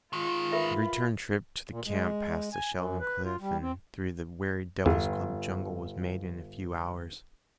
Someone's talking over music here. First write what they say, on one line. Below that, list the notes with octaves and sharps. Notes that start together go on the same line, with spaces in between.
The return trip to the camp past the shelving cliff and through the weary devil's-club jungle was made in a few hours.
D#3 G#3 F4 C6
A#4 B4 E5 B5
A#2
G#3
G#5
F#2
B4
F4
G3
C4
G1 E2